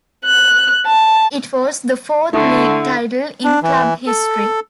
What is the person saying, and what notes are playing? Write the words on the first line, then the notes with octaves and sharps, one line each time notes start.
It was the fourth league title in club history.
F#6
A5
D3 A3 E4
D4
E3
A4